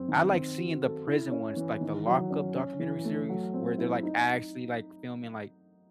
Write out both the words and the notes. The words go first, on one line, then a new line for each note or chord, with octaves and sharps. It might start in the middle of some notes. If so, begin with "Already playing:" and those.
I like seeing the prison ones, like the Lockup documentary series, where they're, like, actually, like, filming, like,
Already playing: F#2 C4
D#3
C4
F#4
A4
E4
C#4
E3
D#3
F#3
C#4
C#4
E3
A3
F#3
C4
E4
D#4